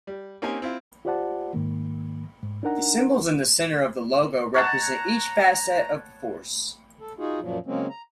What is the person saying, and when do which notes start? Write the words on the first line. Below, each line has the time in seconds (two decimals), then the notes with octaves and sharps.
The symbols in the center of the logo represent each facet of the force.
0.07 G3
0.42 A#3 C4 C#4 D#4 G4 G#5
0.62 C4 E4 F4
1.05 F4 G4 C5 D5 F#5 A5
1.54 G#2 D#3 A#3
2.43 G#2
2.63 D4 D#4 A#4 F#5 A#5
4.54 C#5 F#5 A5 A#5
7.00 A4
7.18 D#4 F4 F#4 G#4
7.40 F#2 A#2 F3 F#3
7.66 C#3 F#3 G#3 A#3 C4 C#4
7.90 A#5